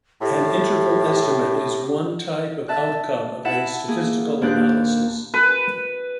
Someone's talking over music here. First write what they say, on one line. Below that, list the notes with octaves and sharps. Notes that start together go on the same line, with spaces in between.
An interval estimate is one type of outcome of a statistical analysis.
A2 G4
E5 A5 F#6
E4 E5 F#5 A5
A#3 G#4
D#2 A#3 D4 G4 C5 F#6
B4